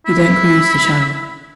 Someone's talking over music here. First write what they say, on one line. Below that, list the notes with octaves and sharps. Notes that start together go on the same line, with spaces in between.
He then cruised the Channel.
E4